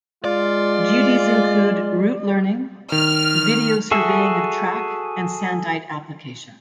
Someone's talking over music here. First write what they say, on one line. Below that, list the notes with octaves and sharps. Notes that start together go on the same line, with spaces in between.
Duties include route learning, video surveying of track and sandite application.
G#3 F4 D5
D#3 F6
F#4 G#4 A4 E5